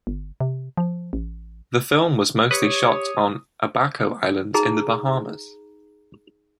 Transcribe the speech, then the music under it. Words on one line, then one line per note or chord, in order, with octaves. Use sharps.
The film was mostly shot on Abaco Island in The Bahamas.
G1
C3
F3
A1
G4 B4 C#5 D#6
D#4 G#4 A#5